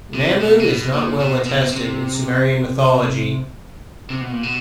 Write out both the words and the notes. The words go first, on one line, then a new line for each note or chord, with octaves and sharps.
Nammu is not well attested in Sumerian mythology.
C3
B2
C3
B2
A#2
B2
B2
C3
C3
B2
A#2
B2